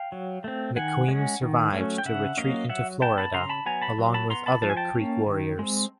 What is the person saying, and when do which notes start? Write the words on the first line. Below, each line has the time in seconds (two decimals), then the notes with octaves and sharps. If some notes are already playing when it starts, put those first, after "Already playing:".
McQueen survived to retreat into Florida, along with other Creek warriors.
Already playing: F5 G5
0.12 F#3
0.44 A3 C4
0.76 D#3 F#5 G#5
1.08 G#3 C#4
1.42 D#3
1.73 F#3 A3 C#4
1.98 G5
2.05 C#3 E5 F#5
2.37 F#3 A#3 C#4 D#5 F5
2.69 F#3 E5 F#5
3.02 B3 G5 A5
3.18 A5 B5
3.34 C#3 A#5 C6
3.49 A5 B5
3.66 F#3 B3 G#5 A#5
3.82 A5 B5
3.98 F#3
4.14 A5 B5
4.30 B3 A#5 C6
4.46 A5 B5
4.62 F3 A5
4.70 G#5
4.77 G5 A5
4.95 A#3 C#4
5.26 D#3
5.59 G#3 C4